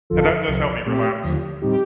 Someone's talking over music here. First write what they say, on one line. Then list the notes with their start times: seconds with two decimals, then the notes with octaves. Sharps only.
and that does help me relax.
0.10 G1 F2 D3 F3 F4 A4
0.48 C2 C3 F3
0.86 A#2 A3 C4 G4
1.24 D#2 D3 F3
1.62 A2 G3 C4 D#4 G4